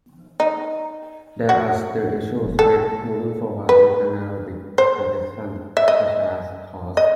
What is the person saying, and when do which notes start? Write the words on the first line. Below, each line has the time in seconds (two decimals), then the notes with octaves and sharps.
There are still issues with moving forward with anaerobic digestion, such as cost.
0.40 D#4
1.49 F#4
2.59 A4
3.69 B4
4.78 C5
5.77 E5
5.88 D#5
6.97 D#5